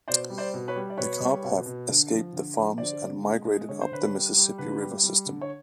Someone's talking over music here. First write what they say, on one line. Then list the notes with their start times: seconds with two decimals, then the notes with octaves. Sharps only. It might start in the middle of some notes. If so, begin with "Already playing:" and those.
The carp have escaped the farms and migrated up the Mississippi River system.
0.08 B2 C5 D5
0.30 G3
0.38 C5 D5
0.54 B2
0.68 B4 C#5
0.76 G3
0.90 D5
0.98 B2 B4 C#5
1.20 G3
1.44 B2
1.66 B2
1.89 D3
2.11 F3
2.33 D3
2.56 F3
2.78 D3 C5 D5
3.02 D3
3.23 G#3
3.45 G#3
3.69 D3 C#5
3.81 C5
3.92 D3 B4 C#5
4.14 G3
4.36 G3
4.58 D3 B4
4.81 G3
5.03 G3
5.26 D3
5.41 C#5